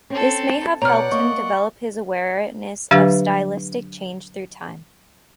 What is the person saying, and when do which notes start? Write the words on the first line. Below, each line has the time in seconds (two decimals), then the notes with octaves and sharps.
This may have helped him develop his awareness of stylistic change through time.
0.10 C4 C#4 A4
0.82 B2 C#5 D5 F#5 A#5 F6
1.12 A#3 D#5 C#6
2.91 D3 F#3 D4 G4 B4 F5